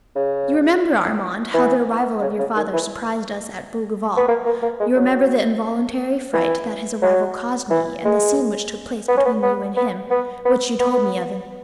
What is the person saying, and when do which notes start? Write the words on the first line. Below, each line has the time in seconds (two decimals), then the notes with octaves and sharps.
You remember, Armand, how the arrival of your father surprised us at Bougival; you remember the involuntary fright that his arrival caused me, and the scene which took place between you and him, which you told me of in the evening.
0.16 C#3
1.54 E3
2.22 C#3
2.39 C#3
2.56 D#3
2.74 E3
4.17 B3
4.29 A#3
4.46 A#3
4.62 A#3
4.80 G#3
4.96 F#3
6.34 E3
7.02 F#3
7.70 E3
8.05 G#3
9.08 B3
9.18 C#4
9.26 B3
9.43 B3
9.77 B3
10.11 B3
10.45 B3
10.80 B3